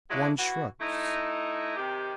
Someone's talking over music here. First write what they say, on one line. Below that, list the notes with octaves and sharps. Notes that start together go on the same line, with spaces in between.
One shrugs.
F#3 G#3 A#3 D4 E4 F#4
E3 F#4
A3 D#4 E4
C3 D#3 G4